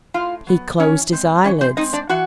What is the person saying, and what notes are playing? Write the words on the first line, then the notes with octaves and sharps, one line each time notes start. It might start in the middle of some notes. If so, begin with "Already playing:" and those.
He closed his eyelids.
A2 F4 F5
F#3 B3
E3 C#4 C#5
G#3 C4
E3 C#4 C#5
C4 C5
G#3 C4 D#4 D#5
D4 D5
E3 F#4 F#5